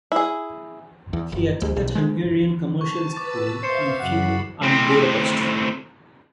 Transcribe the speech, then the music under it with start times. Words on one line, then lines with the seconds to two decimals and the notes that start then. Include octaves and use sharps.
He attended Hungarian Commercial School in Fiume and Budapest.
0.12 E4 G#4
1.13 E2
1.32 F#1
1.62 D2
1.77 B1
1.95 G#3
2.81 A5 C#6
3.16 B4 A5 C#6 D6 E6 A6
3.63 C5 E5 F5 C7 C#7 E7
4.00 F#2 C#3 F#5 B5
4.62 A2 C4